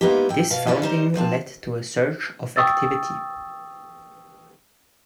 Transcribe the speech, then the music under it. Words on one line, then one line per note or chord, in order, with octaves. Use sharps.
This funding led to a surge of activity.
G#3 A#3 B3 D#4 E4 G4
A2 G5
B2 F5
C#4 E4 F4 D5
G3 D#4 C5
D2 F3 C4 A5
G5 C#6 D#6 E6 A6